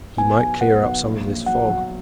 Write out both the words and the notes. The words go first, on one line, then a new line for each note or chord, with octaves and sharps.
He might clear up some of this fog.
B3 G#5
B1
B3 F#5
B1
A#1
A#1
F#3 F#5
F#3